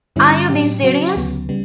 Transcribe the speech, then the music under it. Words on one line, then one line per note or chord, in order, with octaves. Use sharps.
Are you being serious?
G2 D3 G3 C#4 E4
A2 F#3 C#4 G4
C#3 F#3 C#4 F#4
D2 C#3 F#3 B3
C#3 G3 B3